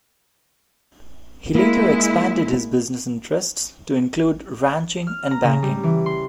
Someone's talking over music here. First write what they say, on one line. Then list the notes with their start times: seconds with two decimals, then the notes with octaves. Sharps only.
He later expanded his business interests to include ranching and banking.
1.55 G#3 A#3 E4
5.07 F6
5.31 A#5
5.43 C#3
5.63 G3
5.83 E3
6.06 C6